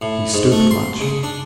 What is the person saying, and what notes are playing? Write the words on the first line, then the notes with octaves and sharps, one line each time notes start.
He stooped much.
A2
G#2
A3
C6
C#3
D4